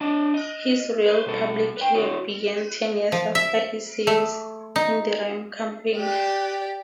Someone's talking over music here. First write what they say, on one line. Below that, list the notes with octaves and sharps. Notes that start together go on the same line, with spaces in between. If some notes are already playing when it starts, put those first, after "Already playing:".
His real public career began ten years after his service in the Rhine campaign.
D4 D#5 A5
D#5
B4 C5
B2 A4
B4 G5
E4 F#4 C#5
F3
E5
A3
D#4
G4 D5